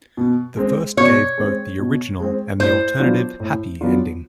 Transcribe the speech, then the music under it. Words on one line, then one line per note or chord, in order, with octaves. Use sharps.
The first gave both the original and the alternative "happy" ending.
B2
G#3 C4
B2 C#5
G#3 C4
B2
G#3 C4
A2 C5
F#3 B3 D4 F4
A2
F#3 B3 D4 F4